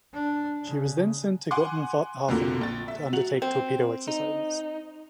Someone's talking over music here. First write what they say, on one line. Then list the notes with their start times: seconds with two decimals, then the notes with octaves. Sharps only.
She was then sent to Gotenhafen to undertake torpedo exercises.
0.13 D4
0.64 C#3
1.51 F#5 G#5 C6 D6
2.29 F2 A#2 D3 F#3 A#3
2.61 A#1 A6
2.88 E5
3.13 F#3 F#4 F7 F#7
3.42 C4
4.08 D#4